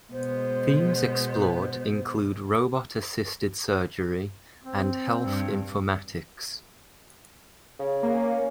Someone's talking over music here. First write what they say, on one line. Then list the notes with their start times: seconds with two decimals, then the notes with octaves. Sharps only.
Themes explored include robot-assisted surgery and health informatics.
0.12 B2 G#3 B3 C5
4.64 C4
5.25 G2
7.79 C#3
8.03 A#3
8.14 C#4